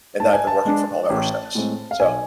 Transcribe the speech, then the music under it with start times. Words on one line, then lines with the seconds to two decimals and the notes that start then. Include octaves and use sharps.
And then I've been working from home ever since, so,
0.20 G#2 A5
0.33 G#5
0.47 A5
0.65 G#3 D4
1.10 A1
1.55 A2 G#3 C4
1.91 F5
1.99 B1 G#5